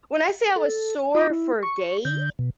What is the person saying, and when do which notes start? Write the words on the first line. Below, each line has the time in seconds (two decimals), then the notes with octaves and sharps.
when I say I was sore for days;
0.56 A4
1.15 D#4 F4 B5 D6 D#6
1.30 E4
1.63 C#6
2.05 D3 G6
2.39 B2